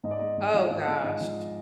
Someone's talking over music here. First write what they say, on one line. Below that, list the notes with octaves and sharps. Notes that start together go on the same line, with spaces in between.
Oh, gosh.
G#2 D#5
D5
G#3 D#5
G#2
F3 F5
G#2
D#5
G#3
G#2
F3